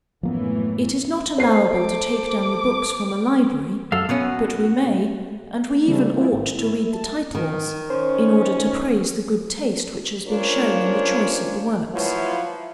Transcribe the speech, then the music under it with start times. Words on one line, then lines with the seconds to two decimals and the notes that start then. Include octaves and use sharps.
It is not allowable to take down the books from a library; but we may, and we even ought to read the titles, in order to praise the good taste which has been shown in the choice of the works.
0.23 F#2 A2 E3 F3 A#3 B3
1.38 A4 C5 F5 C7
1.75 D6
3.92 F#2 A4 E5 F5
4.09 B2 B3 C#4 F#4
5.85 C#3 E3 G3 A3 C4 D4
6.16 G#3 C4 E4 F4 G#4 D5
6.31 G#1
6.54 E4
6.93 A5
7.35 D#3
7.90 C#4 C5
10.28 C#4 D4 F4 A#4 C5 C#5
11.94 F3 F#3 E4 F4 B4 C#5